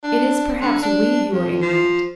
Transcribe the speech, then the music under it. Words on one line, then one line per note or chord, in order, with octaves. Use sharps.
It is perhaps we who are ignorant.
D4
D3
D4
F2
F3